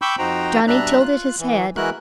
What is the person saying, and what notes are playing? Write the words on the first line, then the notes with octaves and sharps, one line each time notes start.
Johnny tilted his head.
G5 B5 C#6 D6 E6 G6
F2 D#4 F#4 C5 G5 A#5
B2 G3 D4 E5 A#5 F#6
F4 F#6
E3
E3 G#3 E4 F#4 A#4 F#6